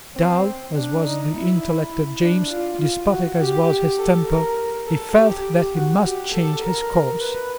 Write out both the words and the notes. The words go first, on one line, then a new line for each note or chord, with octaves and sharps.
Dull as was the intellect of James, despotic as was his temper, he felt that he must change his course.
C4
D4
D#4
E4
D4
F4
F4
F#4
G4
A4
A#4
A4
G4
F#4
G4
A4
A#4
B4